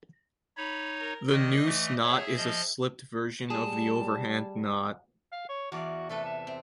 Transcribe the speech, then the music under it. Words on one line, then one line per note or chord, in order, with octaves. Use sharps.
The noose knot is a slipped version of the overhand knot.
D#4 C#5 B5
A#4
D#3 D5 D#5
E3 A3
G#4 C#5 E5
F3 D#5
G3 G#4 A5
F5
C#5
E2 F#4 D5 F5
C3 A3 A4 B4
E5
C4